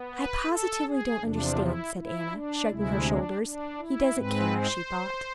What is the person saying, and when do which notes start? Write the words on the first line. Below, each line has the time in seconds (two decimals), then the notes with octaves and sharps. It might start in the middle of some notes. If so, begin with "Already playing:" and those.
"I positively don't understand," said Anna, shrugging her shoulders--"He doesn't care," she thought.
Already playing: B3
0.10 B4
0.46 A4
0.84 G#4
1.21 E2 C3 F3 D4
1.58 E4
1.95 E4
2.31 D4
2.68 D2 C3 G#3 E4
3.05 D4
3.41 D4
3.79 E4
4.15 G#2 G#3 C4 B4
4.53 C5